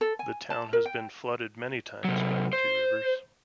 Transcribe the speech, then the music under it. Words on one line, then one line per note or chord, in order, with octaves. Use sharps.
The town has been flooded many times by the two rivers.
A4
G#5
A5
A#4
G5
C3 F#3
C5